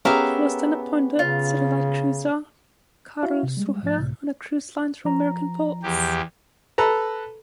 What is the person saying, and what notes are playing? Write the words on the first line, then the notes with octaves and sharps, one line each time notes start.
He was then appointed to the light cruiser Karlsruhe on a cruise line through American ports.
B3 C#4 G4 G#4 A#4 E5 F5
C#3 F4
E4 F#4 E5 F5
C3
G3 G#3
G#2 F3 A3 A6
C#2 A2 C3
F3 A#5
E2 G4
A4 B4 A#5